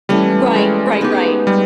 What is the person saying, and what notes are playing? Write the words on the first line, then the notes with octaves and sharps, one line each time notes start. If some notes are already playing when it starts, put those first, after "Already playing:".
Right, right, right.
E3 G3 A3 C#4
G#3
B3 D#4 G4
G3